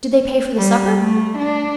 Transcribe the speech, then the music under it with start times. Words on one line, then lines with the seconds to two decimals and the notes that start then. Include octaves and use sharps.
"Did they pay for the supper?"
0.57 G3
0.99 A3
1.38 D4